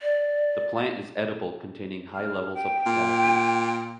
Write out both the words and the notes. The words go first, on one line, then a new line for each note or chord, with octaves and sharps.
The plant is edible, containing high levels of potassium.
D5
F6
G5
A#2